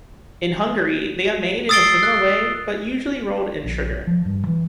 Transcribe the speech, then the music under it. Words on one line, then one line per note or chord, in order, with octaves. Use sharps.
In Hungary they are made in a similar way, but usually rolled in sugar.
D#6 E6 A6 C7 D7 G7
F#6
A#1
F3
G2
E3